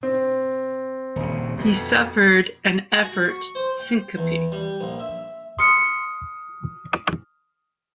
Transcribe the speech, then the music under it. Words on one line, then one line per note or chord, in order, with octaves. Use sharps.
He suffered an effort syncope.
C4
D#1 C#3
F2 B2
F#4
C#6
C5
G5
E2
G3
A#1
E5
C6 D#6 F6 C#7